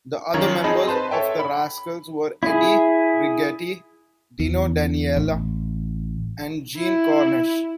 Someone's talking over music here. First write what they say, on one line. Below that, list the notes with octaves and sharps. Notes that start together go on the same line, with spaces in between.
The other members of The Rascals were Eddie Brigati, Dino Danelli and Gene Cornish.
F#2 D#3 F4 C#5 A#5 G#6
C4 D#4 G#4 D#5 A5 B5
B4 C5 A5 C6
A4 C#5 E5 G5
B5
E4 G#4
E2
A1
E4